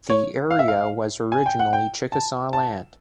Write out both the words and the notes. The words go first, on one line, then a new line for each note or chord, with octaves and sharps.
The area was originally Chickasaw land.
C#5
F5
E5
F5
G#5
G5
F#5
G5
A5
A5